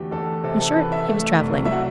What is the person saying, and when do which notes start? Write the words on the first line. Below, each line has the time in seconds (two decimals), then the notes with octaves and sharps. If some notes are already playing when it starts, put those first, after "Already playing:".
In short, he was travelling.
Already playing: E2 D3 A3 F#4 G4
0.11 E2 A4
0.44 C3 A4
0.60 A4
0.76 E3 B4
0.92 E5
1.08 A3
1.41 C2
1.65 E5
1.72 F#3 F#5